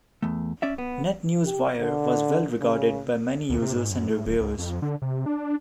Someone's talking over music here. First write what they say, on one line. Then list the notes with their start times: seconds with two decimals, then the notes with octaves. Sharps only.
NetNewsWire was well regarded by many users and reviewers.
0.22 E2 A3
0.62 C#4 D5 E5
0.78 B3
1.45 G4
1.81 D3
2.61 C#3
3.50 D2
3.62 C3
3.75 G#2
3.90 F#2
4.09 A2
4.26 D#1
4.41 C#2
4.59 F2
4.82 D3
5.02 C3
5.26 D4